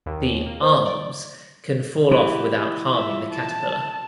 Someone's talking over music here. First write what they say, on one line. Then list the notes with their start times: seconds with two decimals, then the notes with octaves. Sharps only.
The "arms" can fall off without harming the caterpillar.
0.06 D#2
0.46 A#3
0.62 C5
0.86 D5
2.11 E3 G4
2.91 F4 E5
3.32 A5